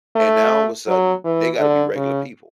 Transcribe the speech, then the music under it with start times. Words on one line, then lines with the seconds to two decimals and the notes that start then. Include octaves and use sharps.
and now, all of a sudden, they gotta be regular people,
0.16 A3
0.88 F#3
1.24 E3
1.59 D3
1.96 C#3